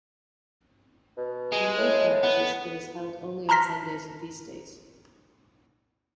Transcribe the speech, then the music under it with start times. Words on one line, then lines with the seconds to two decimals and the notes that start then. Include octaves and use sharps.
In many parishes it is held only on Sundays and feast days.
1.17 B2
1.53 G#3
1.77 A2
2.24 B3
3.49 A5 A#5 C6 F6 A#6 B6